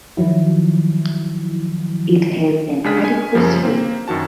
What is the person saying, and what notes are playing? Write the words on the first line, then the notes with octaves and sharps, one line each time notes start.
It has an adipose fin.
D#3 F3 F#3 E4
C#2 G#3 D4 G#4 F6 B6
G#5
F#2 C#3 F3 G3
A#3 C4
F#2 D#3 F#4 A5